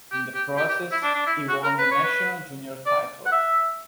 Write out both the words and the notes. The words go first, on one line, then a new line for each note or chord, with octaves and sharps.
In the process he won the national junior title.
G4
G4
G4
G4
E4
D4
D4
E4
F#4
A#4
B4
C#5
B4
D5
F#5
E5